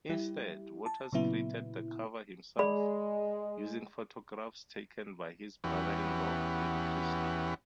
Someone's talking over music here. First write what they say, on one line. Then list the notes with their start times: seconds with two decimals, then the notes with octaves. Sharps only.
Instead, Waters created the cover himself, using photographs taken by his brother-in-law, Willie Christie.
0.10 G3 E4 G4
0.86 A5
1.12 A#2 C#3 F#3 B3 E4
2.59 G#3 G#4 D5 B5
5.64 E2 E3 B3 C#4 G4 F#5